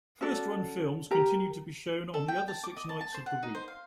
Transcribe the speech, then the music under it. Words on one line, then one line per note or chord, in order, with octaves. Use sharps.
First-run films continued to be shown on the other six nights of the week.
C#4 F#4 A4 D5
G4 A#4 A#5
A4
G5
A5
D6
D#5
A5
A5
C5
F#5
D#4
C5
F5